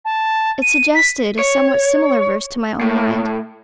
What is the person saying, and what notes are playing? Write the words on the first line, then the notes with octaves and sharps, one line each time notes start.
It suggested a somewhat similar verse to my own mind.
A5
D#7
B6
C#5
A2